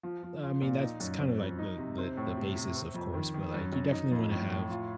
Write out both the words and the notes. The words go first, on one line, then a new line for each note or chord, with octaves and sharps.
I mean, that's kind of like the the the basis, of course, but like, you definitely want to have,
F3
F3
F4
A#2
D#4
F#2
C4
F2
D#4
C3
C4
A2
C3
C3
C4
F2
D#3
D#3
F#2
F#2
D#4
F2
A2
A2
F4